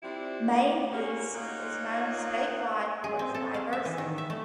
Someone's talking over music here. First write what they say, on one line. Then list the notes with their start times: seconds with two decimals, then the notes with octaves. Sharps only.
Maine East is known statewide for its diversity.
0.03 F3 C4 D4 E4 G4
0.92 C#3 G#3 A#3 F#4 G4 A#4
1.34 A#2 A#3 D#4 F4 C#5 F#5
3.04 G#4
3.19 C4
3.34 A4
3.54 F5
3.73 E5
3.85 E3
3.98 D#3
4.18 E5
4.30 A3